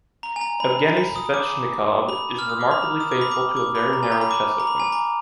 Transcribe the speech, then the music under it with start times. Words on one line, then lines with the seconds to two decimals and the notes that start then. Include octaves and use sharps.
Evgeny Svechnikov is remarkably faithful to a very narrow chess opening.
0.23 A#5
0.36 G#5
0.41 A#5
0.60 B5
0.97 B5
1.16 D#6
1.34 D6
2.09 B5
2.39 F6
2.50 D#6
2.61 D6
2.71 B5
2.82 A#5
3.00 D#6
3.11 D6
3.21 B5
3.32 D6
3.57 D6
3.75 B5
3.93 A#5
4.03 G#5
4.12 A#5
4.21 B5
4.31 D6
4.60 A#5
4.67 B5
4.80 G#5
4.92 A#5